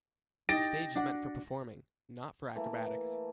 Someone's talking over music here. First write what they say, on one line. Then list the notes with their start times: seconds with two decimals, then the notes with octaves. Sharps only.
The stage is meant for performing not for acrobatics.
0.49 D#4 G4 A6 A#6 D7
0.95 D4 F#4 F#5
2.56 E3 A3 A#3